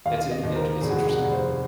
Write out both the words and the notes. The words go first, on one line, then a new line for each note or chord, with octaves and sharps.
It's an int it's interesting.
D#2 F5
D#5
D#2
C5
A#4
F1 G#4
F#4
G#4
F#4
F1
C5